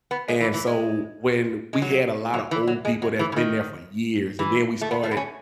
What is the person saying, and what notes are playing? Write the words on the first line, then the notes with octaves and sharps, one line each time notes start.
and so, when we had a lotta old people that's been there for years, and then we started
B3
G#3
E3
E3
G#3
G#3
F#3
F#3
E3
F#3
G#3
F#3
E3
C#3
D#3
E3
A3
B3
A3
B3
C#4